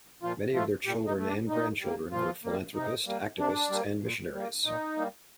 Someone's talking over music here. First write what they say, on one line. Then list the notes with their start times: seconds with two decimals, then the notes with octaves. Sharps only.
Many of their children and grandchildren were philanthropist, activists and missionaries.
0.22 A#2 F3 F4
0.54 F3 A3 F4
0.86 A#2 G3 G4
1.07 D#4
1.17 A3
1.27 D4
1.49 A#2 D#4
1.80 G3 A#3
2.12 A#2 F3 F4
2.44 G3 A#3
2.75 C3 D#4
3.06 G3 A#3
3.38 C3 D4
3.70 G3 A#3
4.02 A#2
4.34 G3 A#3
4.65 A#2 D#4
4.97 G3 A#3